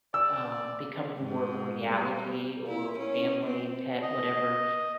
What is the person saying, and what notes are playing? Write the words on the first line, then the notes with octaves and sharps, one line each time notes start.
um, becoming more of a reality or family, pet, whatever
D5 E6
G#2
G3
E4
C#4
C4
D#5